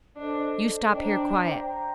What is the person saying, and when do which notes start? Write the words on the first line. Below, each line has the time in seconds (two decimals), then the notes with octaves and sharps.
You stop here quiet.
0.17 D4 A4 C5 D#5
0.91 D4 C5 G5 A#5
1.65 C5 G5 A#5